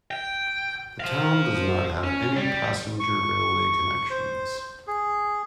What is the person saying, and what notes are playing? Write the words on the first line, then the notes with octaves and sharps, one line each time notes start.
The town does not have any passenger railway connections.
G5
C5 F5
C#4
G3
C#6
C5
G#4